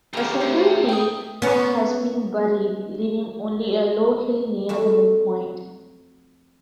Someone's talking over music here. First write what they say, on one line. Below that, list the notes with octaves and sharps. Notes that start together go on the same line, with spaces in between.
The central peak has been buried, leaving only a low hill near the midpoint.
E2 C#3 G4 A#4
A2 C5
G5 D#6
B3 C#4
F2 A3 F#4